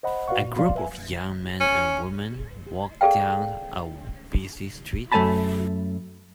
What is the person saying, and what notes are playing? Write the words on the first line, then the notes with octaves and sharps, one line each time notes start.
A group of young men and women walk down a busy street.
C5 D#5 F#5 B5
F#4 B4 D5 F5 F#5 C#6
A#2
F3 F#3 D5 F5 C6
B4 E5 G#5
C#4
G#4 A4 D5 F5 G5
F#2 A3 C#5 G#5 A5 B5